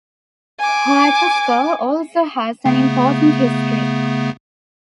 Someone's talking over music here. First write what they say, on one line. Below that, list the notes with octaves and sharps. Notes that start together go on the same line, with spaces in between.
Huatusco also has an important history.
G#5 D6
C#3 A3 B3